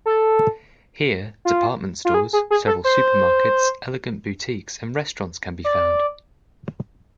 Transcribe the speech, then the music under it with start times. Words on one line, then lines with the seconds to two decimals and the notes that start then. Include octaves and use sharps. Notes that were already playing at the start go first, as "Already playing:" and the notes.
Here department stores, several supermarkets, elegant boutiques and restaurants can be found.
0.06 A4
1.45 F4
2.05 F4
2.14 G#4
2.33 G#4
2.50 G#4
2.67 A4
2.84 C5
5.64 D5